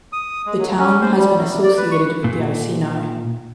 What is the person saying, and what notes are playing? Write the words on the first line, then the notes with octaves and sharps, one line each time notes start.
The town has been associated with the Iceni.
D#6
G#3
F#3
C#4
C5
G3
F#3
C3
D5
B4
C#6
A#2